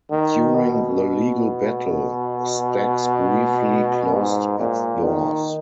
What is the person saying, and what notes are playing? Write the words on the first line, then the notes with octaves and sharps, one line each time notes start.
During the legal battle, Stax briefly closed its doors.
D#3
B2
G#2
A#2
D#3